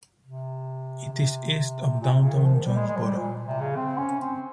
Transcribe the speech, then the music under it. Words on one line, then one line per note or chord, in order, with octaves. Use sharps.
It is east of downtown Jonesboro.
C3
C3
A#2
C3
C#3
D#3
F3
D#3
G3
G#3
G#3
F3
G3
A#2
C3
C#3
C4
C#4
C4